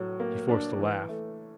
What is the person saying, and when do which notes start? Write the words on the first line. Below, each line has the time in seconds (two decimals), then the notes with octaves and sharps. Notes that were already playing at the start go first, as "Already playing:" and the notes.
He forced a laugh.
Already playing: A2 F#3
0.20 A#3
0.49 D4
0.78 E3
1.08 A3